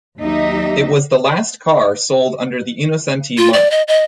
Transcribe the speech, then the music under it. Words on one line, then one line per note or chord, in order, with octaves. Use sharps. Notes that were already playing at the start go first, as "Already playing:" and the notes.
It was the last car sold under the Innocenti marque.
D#2 F#3 D#4 G4 D#5 E5
F4
D5
D#5
D#5